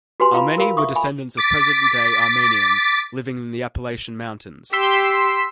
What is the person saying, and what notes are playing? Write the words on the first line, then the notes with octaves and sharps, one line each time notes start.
"Ahrmenee" were descendants of present-day Armenians living in the Appalachian Mountains.
F#4 G4 B4 G#5 C6
F4 F5 A#5 B5
A#4 F5 B5
E5 C#6 D#6
G#5 B5
D6 A6 B6
G4 C6 E6 B6